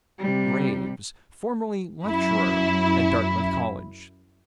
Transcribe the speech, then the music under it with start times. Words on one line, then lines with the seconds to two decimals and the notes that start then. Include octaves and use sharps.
Graves, formerly lecturer at Dartmouth College.
0.19 C3 G3
2.04 F#2 E4